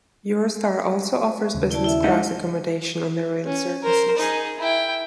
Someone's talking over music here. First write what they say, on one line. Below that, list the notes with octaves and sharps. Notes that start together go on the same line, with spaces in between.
Eurostar also offers business class accommodation on their rail services.
D#2 C#3
E4 D5 A5
E4 E5
G#2 D#4
C#4
A#4 C5
D#4 G#4
E4 G5